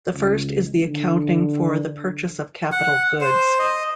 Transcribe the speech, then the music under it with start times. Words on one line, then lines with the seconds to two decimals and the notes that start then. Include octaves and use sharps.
The first is the accounting for the purchase of capital goods.
0.13 C#2
0.86 D3
2.72 F#5
3.21 C5
3.59 D#5